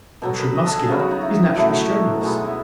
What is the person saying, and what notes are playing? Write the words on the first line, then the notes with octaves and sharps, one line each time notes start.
The true Muscular is naturally strenuous.
B2 F#3 B3 A4
B4
D#5
A4
G#4
C#3 F#3 B3 F#4
D#4
D#4
E4
B2 F#3 A3 E4
B2 G#3 B3 D#4
E4